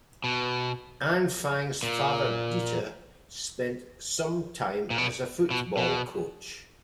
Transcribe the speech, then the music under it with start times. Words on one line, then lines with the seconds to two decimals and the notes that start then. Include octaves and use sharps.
Anfang's father Dieter spent some time as a football coach.
0.24 B2
1.83 A#2
4.90 A#2
4.98 B2
5.51 B2
5.77 B2